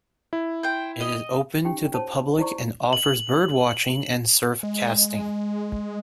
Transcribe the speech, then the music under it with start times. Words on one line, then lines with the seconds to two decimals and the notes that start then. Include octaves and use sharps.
It is open to the public, and offers bird watching and surf casting.
0.33 E4
0.63 C5 G5
1.01 D#5
1.65 C#4 D#4 G4 G5
1.94 F4 C5 C#5 A5
2.38 E4 C5 D5 A#5 C#6
2.93 F#7
4.63 G#3